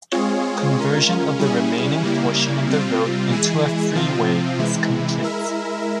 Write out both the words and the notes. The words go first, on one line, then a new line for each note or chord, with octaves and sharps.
Conversion of the remaining portion of the road into a freeway is complete.
G#3 C4 F4 G#4 C#5
G#3 C#4 F4 A#4
G3 C#4 E4 G#4
C#3 G3 A#3 E4
C3 G3 C4 F4
E3 G#3 E4 G#4
C3 F3 C4 F4
C3 E3 G#3 E4
G#3 E4 A#4 E5